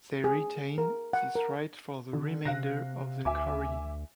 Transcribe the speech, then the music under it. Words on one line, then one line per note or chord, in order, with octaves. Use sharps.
They retain this right for the remainder of their career.
G#4
A#4
F#5
A#4
D3
C3 F5 F#6 A#6
D2 E5 G#5 D6